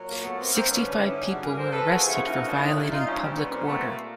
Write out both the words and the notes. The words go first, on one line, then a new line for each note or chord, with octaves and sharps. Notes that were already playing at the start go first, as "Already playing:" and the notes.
Sixty five people were arrested for violating public order.
Already playing: A#2 F#3
A#3
A3 B3
A#3 C4
A#3 C4
G2 D3 G3 B3 C#4
B3 C#4
E4
C#4 D#4
F#4 G#4
G#4 A#4
A#4 C5
A4 B4
D#2 C#3 F3 F#4 G#4
E4 F#4
D#4 F4
D4 E4
C#4 D#4
D4 E4
D#4 F4
A#2 G3 C#4 D#4
C4 D4
B3 C#4
A#3 C4
A3 B3
A#3